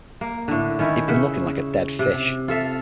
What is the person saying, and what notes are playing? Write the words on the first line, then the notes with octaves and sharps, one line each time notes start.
He had been looking like a dead fish.
A#3
A2 D3
D#3 C#4 E4
C#3 E5 F#5
C3
F4 A4 E5 F5